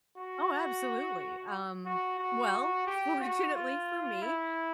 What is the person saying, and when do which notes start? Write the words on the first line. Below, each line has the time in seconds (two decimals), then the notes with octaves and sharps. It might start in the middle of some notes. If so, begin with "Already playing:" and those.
Oh, absolutely, um, well, fortunately for me,
0.17 F#4
1.86 F#4
2.19 F#4
2.87 G4
3.20 F#4
3.55 F4
4.22 E4